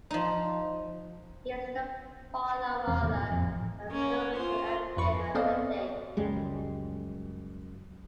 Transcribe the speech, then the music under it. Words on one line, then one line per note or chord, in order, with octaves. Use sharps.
He is the father of author and filmmaker M. K. Asante.
F3 D#4
E1 E2 C4
G1 D#2 A2 C3
A#2
F2
A1
A#3 C#4
F4 C5
G1 F2 B4 C#6
B3 C4 A4 D5 D#5 F5
C#2 F#2 G3 G#3